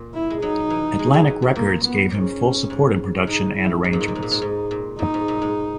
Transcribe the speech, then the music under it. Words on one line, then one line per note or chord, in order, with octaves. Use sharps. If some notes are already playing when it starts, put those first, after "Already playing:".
Atlantic Records gave him full support in production and arrangements.
Already playing: A#2
E4
G#3
F#3 D#4
E3
G#3
F#3
E3
A#2
A#2 A#3
B3
G#2 C#4
G#2
G#2 D#4
E4
G#2 D#4
A#2
G#2
A#2
G#2
A#2
G#2
G#2
A#2
A#2 D#4
G#2
A#2
G#2